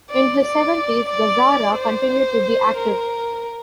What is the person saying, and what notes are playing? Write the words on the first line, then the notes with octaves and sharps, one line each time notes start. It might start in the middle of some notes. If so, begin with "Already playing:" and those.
In his seventies, Gazzara continued to be active.
D5
D5
D5
C5
A#4